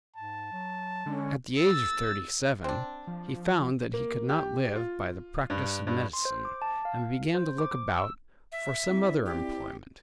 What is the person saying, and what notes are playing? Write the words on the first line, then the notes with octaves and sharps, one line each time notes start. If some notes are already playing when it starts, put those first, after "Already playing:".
At the age of thirty-seven he found that he could not live by the practice of medicine, and began to look about for some other employment.
G#2 A5
F#3
D3 G#3 C#4
E6 A6
C4 D4
F3
A#3
G4
F4
G2
G2
C6
C5
D6
A5
F5
C5
D6
E6
E5
C4 E4 D5
G4